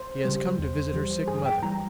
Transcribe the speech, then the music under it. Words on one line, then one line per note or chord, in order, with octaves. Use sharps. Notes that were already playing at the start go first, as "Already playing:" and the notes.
She has come to visit her sick mother.
Already playing: C5
C#3 G3
E2
E3 G3
G2 G#4
G5
E3 G3 A#5